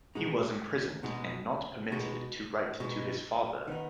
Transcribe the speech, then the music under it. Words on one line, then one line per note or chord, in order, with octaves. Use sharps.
He was imprisoned and not permitted to write to his father.
B2 G#3 D#4
B2 G#3 D#4
B2 G#3 D#4
B2 G#3 D#4
D#3 B3 D#4